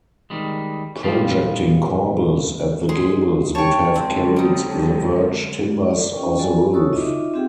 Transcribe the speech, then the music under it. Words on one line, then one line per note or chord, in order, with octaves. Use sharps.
Projecting corbels at the gables would have carried the verge timbers of the roof.
D#3 G3 G#3
A#2 G3 D#4 F4 G4
G#3 C6
C#5 G5 A5 C#6
D3 F#3 G#3 C4
G3 D#4
D5
C#4 F4 D#5 G5 C#6
A4 D5 G#5
F#4 A4 C#5 C#6 D#6 E6
D#4 F4 D#5 E5 D6
C4 F4 G4 G#4 F#5 G5